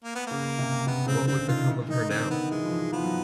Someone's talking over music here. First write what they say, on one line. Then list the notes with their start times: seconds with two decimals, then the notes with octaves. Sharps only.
What would become of her now?
0.04 A#3
0.15 B3
0.27 C#3 A#3
0.59 C3
0.87 C3 B3
1.06 C#3 C4
1.27 D3 C4
1.48 D#3 F4
1.68 E3
1.89 D#3 D#4
2.09 D3 C4
2.30 D#3 B3
2.51 E3 G#3
2.63 F3
2.71 E3
2.92 F3 B3
3.04 F#3